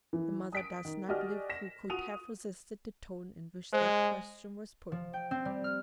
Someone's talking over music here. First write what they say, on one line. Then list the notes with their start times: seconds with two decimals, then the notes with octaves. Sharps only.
The mother does not live who could have resisted the tone in which that question was put.
0.13 E3
0.52 D#6 B6 D7
0.85 D#3
1.08 F#4 G4 D5 D#5 G#5 F6
1.50 A#6 B6 E7
1.90 F4 F#4 D#6 D#7 F7
3.73 G#3 C5
4.92 F3
5.14 G5
5.31 C4
5.45 G3
5.64 F6